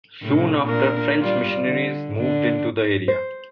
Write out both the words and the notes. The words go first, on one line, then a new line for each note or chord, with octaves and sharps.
Soon after French missionaries moved into the area.
A2 C3
A#2 D4 A#4
G3 F4 D5
D3
D3 D4
C5